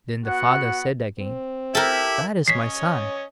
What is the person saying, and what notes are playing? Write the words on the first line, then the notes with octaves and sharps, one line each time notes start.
Then the father said again, "Where is my son?"
B3 F#4 F#5
C4
E4 G4 A4 A#4
C#4 C#5 D#5 B6 C7